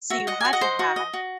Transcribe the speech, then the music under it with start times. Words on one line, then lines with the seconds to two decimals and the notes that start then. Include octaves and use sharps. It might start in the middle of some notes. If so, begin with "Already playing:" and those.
so you had to have
0.10 F#4 E5
0.27 D#5 F#5
0.41 F#4 G#5
0.53 D#5 F#5
0.61 C5
0.79 F#4
0.96 D#5
1.13 F#4